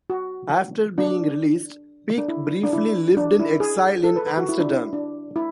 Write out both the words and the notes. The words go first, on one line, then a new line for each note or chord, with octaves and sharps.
After being released, Pieck briefly lived in exile in Amsterdam.
F#4
D4
D4
E4
D4
E4
D4
E4
G#4
A4
B4
B4
F#4
E4
D4
E4
D4
E4